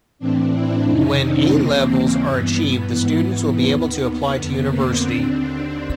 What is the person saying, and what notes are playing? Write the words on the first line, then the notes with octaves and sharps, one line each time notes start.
When A levels are achieved the students will be able to apply to university.
A2 E3 C4 D4
D4 E4
F2 C3 D#3 C#4 D#4
C4 D4
D#2 C#3 E3 A#3 C4
G2 E3 B3
G#2 E3
B3
D#2 D#3
F2 D3
A#3 C4
D#2 D3 C4 D4